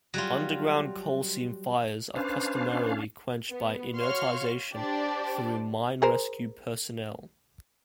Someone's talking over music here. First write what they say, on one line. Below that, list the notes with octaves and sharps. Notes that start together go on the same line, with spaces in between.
Underground coal seam fires are customarily quenched by inertization through mine rescue personnel.
F#3 G3 F4
C#4 D4 B4 C5 F5
B3
F#4 C#5 F5 C6 C#6 F6
D4 G4 C5 D5
G#4 A#4 C5